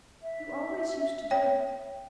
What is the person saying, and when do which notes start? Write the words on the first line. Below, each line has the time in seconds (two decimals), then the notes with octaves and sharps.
"You always used to do it."
0.22 E5
1.31 C#5 G5